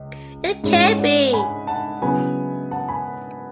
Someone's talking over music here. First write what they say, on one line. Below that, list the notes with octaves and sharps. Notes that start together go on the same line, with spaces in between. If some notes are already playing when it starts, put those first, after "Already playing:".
It can't be.
Already playing: C#2
G#2 G#3 C#4 E4
D5 F#5
G#5 B5
F#5 A5
C#3 F#3 B3 E4 G#5 B5
F#5 A5
G#5 B5